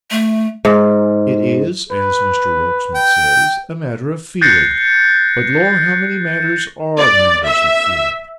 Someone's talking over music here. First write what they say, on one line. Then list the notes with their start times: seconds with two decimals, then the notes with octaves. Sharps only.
It is, as Mr Rokesmith says, a matter of feeling, but Lor how many matters ARE matters of feeling!
0.11 A3
0.65 G#2
1.92 B4
2.95 G5
4.41 F#6 G6 A6 A#6 C7 C#7
6.98 D5
7.46 E5